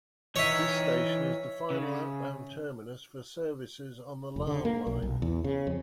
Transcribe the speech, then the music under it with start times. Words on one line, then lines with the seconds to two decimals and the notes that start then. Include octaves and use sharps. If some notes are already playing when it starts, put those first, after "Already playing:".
This station is the final outbound terminus for services on the Larne Line.
0.36 E3 D#4 C#5 E5
1.70 C#3
4.36 F1
4.47 D3
4.65 A#3
4.87 B1
5.02 B1
5.22 E2
5.44 C#3
5.67 F2